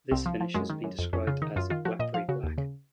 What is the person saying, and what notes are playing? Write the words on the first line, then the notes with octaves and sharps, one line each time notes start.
This finish has been described as "blackberry black".
C2 C4
F3
F3
F#2 G#3
D#3
F#2
F2
F2 C#4
C#3 F4
D#3 D#4
F#2 F4
D#3 F4
F3 F#4
A#2 D#5
F3 F5
C#3 F#4
D#2
C#3